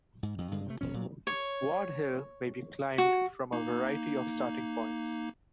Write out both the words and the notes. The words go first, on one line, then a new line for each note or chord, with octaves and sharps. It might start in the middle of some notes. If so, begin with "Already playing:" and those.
Ward Hill may be climbed from a variety of starting points.
G#2
F2
G2 D3 G#3
C3 F#3 A3
D#1 B2 F3 C#4
A#2 F#3
C#5
F#4
A#3 D#4